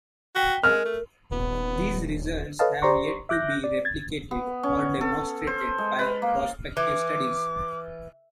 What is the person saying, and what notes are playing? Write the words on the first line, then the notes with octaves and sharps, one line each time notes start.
These results have yet to be replicated or demonstrated by prospective studies.
F#4 G5 B6 G7
G#3 A#4 F6
A3
D#1 B3
A4 B4 C#5 D#5 F5 A5
G4 C5 D5 A#5 C6 C#6
E5 D6 F#6 G6 A#6
D5
G#6 A6
B3
C#4
A4
C5
G#3
B4
A#3
E3 D6